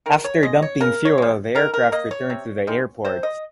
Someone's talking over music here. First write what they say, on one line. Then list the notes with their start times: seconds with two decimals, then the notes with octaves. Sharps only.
After dumping fuel, the aircraft returned to the airport.
0.06 D#3 A#4
0.25 C#5
0.43 G#3 D#5
0.62 C#5
0.81 C#3 A#4
1.05 C#5
1.18 F3 G#3
1.55 D#3 A#4
1.74 A#4
1.92 A#3 D#5
2.11 C#5
2.30 C3
2.67 D#3 G#3
3.05 C3 C5
3.23 D#5